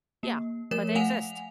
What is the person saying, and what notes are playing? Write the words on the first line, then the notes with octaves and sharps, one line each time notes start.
Yeah, but they exist
A#3
F3 A3 A#4 C#5 E7
A3 F5 F#5 G#5 F7